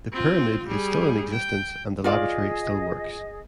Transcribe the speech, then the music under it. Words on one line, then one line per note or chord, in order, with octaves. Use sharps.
The "Pyramid" is still in existence and the laboratory still works.
C4 F4
G3 G#4
G5
F4 G#4 D5 D#5 F5